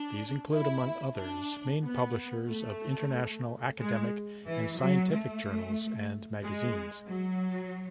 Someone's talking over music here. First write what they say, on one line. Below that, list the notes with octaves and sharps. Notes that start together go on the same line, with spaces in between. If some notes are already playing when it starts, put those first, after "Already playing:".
These include, among others, main publishers of international academic and scientific journals and magazines.
Already playing: D4
E4
D4
B3
A3
G#3
E3
F#3
A3
G#3
F#3